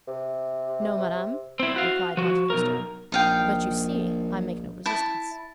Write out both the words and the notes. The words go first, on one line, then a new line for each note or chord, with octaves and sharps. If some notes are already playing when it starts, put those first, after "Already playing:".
"No, madame," replied Monte Cristo; "but you see I make no resistance."
C3
C4 E4
F#4 F5
F3 F#4
B1 A#4
A#1 D#4 F5 G5
E4 A5